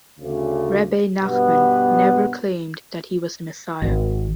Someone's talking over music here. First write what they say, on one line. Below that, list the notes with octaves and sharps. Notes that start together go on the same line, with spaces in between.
Rebbe Nachman never claimed that he was the Messiah.
D2 C#3
G2 B2 B3
G#1